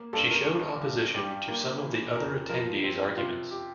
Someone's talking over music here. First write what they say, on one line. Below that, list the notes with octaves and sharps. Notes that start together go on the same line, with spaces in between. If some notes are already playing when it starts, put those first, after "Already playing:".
She showed opposition to some of the other attendees' arguments.
Already playing: A#3
G2 A4
A#4
E3
G2
G3 G4
A#3
E3
F2 A#4
F3 A#4
C4
C3 F4
G4